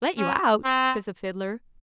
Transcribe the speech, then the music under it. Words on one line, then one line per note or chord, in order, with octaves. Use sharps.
"Let you out?" says the Fiddler.
C#4
C4